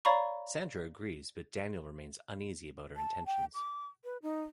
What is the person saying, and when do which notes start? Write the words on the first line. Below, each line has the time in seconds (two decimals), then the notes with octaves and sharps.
Sandra agrees, but Daniel remains uneasy about her intentions.
0.05 C#5 D5 F5 A#5 B5 C#6
2.97 A5
3.26 G5
3.54 D6
4.04 B4
4.22 D#4